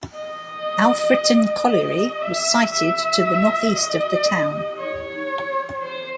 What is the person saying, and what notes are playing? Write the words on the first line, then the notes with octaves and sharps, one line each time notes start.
Alfreton colliery was sited to the north-east of the town.
D#5
D#5
E5
E5
D#5
C#5
C5